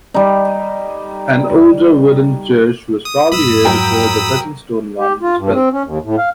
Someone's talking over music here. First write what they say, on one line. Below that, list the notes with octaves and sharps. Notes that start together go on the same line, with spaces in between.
An older wooden church was probably here before the present stone one was built.
G3 D#4
D#6
F2 G#2 B5 D#6 E6
F#3 A#4 G5
G4
F4
G2
C4
C#4
D#2
A2
F5